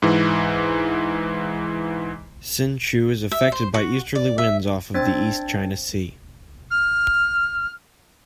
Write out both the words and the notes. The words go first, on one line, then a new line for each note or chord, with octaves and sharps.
Hsinchu is affected by easterly winds off of the East China Sea.
G#2 E3
E5
C5
F#4
D5
E5
C4 D4 G5 A6
F6